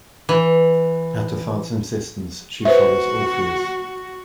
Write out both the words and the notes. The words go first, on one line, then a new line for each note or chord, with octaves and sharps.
At her father's insistence, she follows Orpheus.
E3
F#4 B4 C5 E5